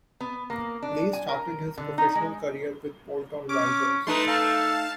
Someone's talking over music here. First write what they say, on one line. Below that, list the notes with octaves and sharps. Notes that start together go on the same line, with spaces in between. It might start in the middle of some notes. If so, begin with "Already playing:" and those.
Lee started his professional career with Bolton Wanderers.
B3
A#3
D4
G#5
A#4
D3
D#4
G#3
C#4 D6
A3 D#4 B4 A5 C6
A4 F5 A5